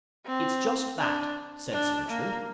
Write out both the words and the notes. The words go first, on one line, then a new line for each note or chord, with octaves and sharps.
"It's just that," said Sir Richmond.
C4
D4
D4
A#3